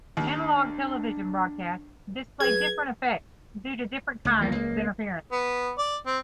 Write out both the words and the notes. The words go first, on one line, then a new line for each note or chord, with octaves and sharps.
Analog television broadcasts display different effects due to different kinds of interference.
D#2 D4
F#3 G#4 B4 G#6
C#2 A3
E2 F3 A#3
C#2 G#3 A#3
B3
D5
C4